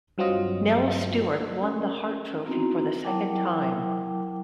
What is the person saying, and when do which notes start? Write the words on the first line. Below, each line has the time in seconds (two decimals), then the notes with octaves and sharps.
Nels Stewart won the Hart Trophy for the second time.
0.18 G2 F#3 C4 F4 D#5
1.62 C#4 A#4
2.46 B3 C4 D#4 E4 F#4 A#5
3.04 F#3 E4 A#4 G5 A5 D6